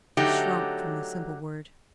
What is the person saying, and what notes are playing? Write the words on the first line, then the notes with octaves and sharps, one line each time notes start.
He shrunk from the simple word.
D3 F#3 A3 D#4 G4